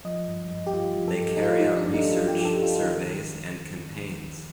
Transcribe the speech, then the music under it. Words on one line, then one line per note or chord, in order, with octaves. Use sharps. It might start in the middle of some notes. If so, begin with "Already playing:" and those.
They carry out research, surveys and campaigns.
F3 D#5
G2
G2
G4
G2 F4
F3
A4
G2
D#4
F3 F4
D#4
F3
D4
G2
D#4
G2 F4
G4
F3
G4
A4
F3
F4
F4
D#3 D#4